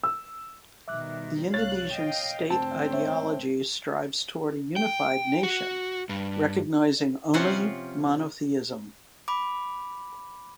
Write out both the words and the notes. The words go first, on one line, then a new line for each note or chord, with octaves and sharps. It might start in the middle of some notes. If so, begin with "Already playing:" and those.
The Indonesian state ideology strives toward a unified nation, recognizing only monotheism.
E6
B2 D#3 G3 E5 D6 F#6
C2 C#5 F5 F#6 A6
D#5 F5 G5
G1 D2 G#2 C4 A5
C5 C#5 E5
G5
F#4
G2
C3 F3 C#4 F4 C5 F#5
B5 D6